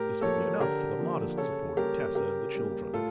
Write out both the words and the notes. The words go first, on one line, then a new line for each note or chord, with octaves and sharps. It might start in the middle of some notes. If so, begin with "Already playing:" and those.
This would be enough for the modest support of Tessa and the children.
Already playing: A2 G4 A#4
F3 A#3 A4 C#5
D3 G4 A#4
F3 A#3
C#3 A4 C#5
G3 A#3 G4 A#4
C#3 G4 A#4
G3 A#3
A2 F4 A4